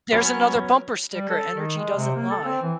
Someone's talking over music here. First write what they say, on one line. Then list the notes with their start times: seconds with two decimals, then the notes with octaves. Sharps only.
There's another bumper sticker. Energy doesn't lie.
0.13 F#3 B3 C#4 A#4 C#5
1.14 G3
1.30 A4
1.54 D#3
1.78 G#3
1.97 C3
2.16 A#3
2.30 A4
2.45 C4
2.62 E3